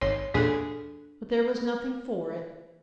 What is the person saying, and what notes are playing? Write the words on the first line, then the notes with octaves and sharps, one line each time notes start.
But there was nothing for it.
G#1 C#5 C6
E2 A#2 D4 G#4 A4